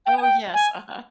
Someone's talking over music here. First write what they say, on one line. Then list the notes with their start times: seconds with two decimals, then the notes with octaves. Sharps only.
Oh, yes, uh-huh.
0.06 G5
0.17 G#5
0.22 G5
0.54 G#5